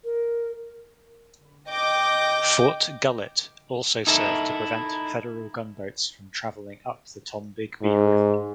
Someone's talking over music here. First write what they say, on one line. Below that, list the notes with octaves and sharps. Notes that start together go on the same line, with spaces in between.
Fort Gullett also served to prevent Federal gunboats from traveling up the Tombigbee River.
A#4
D#5 G5 D6 G6 A#6
D#4 E4 A4 A#4 D5 E5
G#2